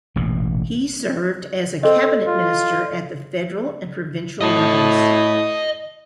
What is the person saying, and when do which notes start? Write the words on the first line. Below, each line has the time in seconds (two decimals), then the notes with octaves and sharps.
He served as a cabinet minister at the federal and provincial levels.
0.16 E1 A1 A#2
1.83 C4 A4 D#5
2.27 F4
4.41 A2 D#5 A5